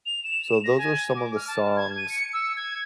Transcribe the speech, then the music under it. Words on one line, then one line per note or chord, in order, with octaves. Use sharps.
So, those are some of the songs
F7
E7
A#6
G#5
D6
F6
A5
G#6
D#7
C#7
E6
G#6